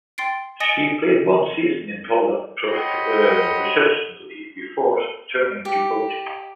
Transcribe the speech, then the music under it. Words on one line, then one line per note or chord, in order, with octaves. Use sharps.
She played one season in Poland professionally before turning to coaching.
G5 C6 A6 C7 D7
D#5 G#5 D#6 A6 A#6 C#7
C5 C#5 D#5 F#5 G5 B5
G4